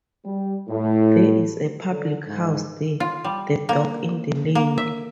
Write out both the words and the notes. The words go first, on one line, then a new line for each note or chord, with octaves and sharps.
There is a public house there - the "Dog in the Lane".
G3
A2
D3
G#2
F4
G3
A#3
A#3
E5